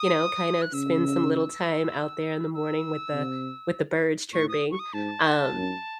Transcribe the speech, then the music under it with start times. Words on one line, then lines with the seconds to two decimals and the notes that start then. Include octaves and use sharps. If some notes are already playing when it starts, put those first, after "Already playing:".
you know, kind of spend some little time out there in the morning with the with the birds chirping," um,
Already playing: D#6
0.62 F#6
0.73 C#3 E6
1.34 E6
2.54 E6
3.14 C3
4.33 A2 C#6
4.49 D#6
4.71 C#6
4.79 D#6
4.93 G#2 A5
5.55 F#2